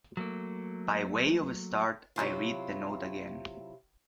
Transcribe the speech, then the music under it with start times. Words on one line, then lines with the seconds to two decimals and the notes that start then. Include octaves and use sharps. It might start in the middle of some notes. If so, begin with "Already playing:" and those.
By way of a start, I read the note again.
0.17 F#3 A3 A#3
2.16 C3 F#3 E4 F4